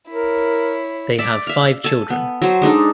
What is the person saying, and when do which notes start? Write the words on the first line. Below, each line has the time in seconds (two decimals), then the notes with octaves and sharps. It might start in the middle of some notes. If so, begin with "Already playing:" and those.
They have five children.
0.10 E4 A#4 C#5
1.18 D5 E5
1.47 E5 F5
1.84 A4 G#5 A5
2.10 B3
2.42 F#3 C5
2.62 G#3 D4 D#4 A4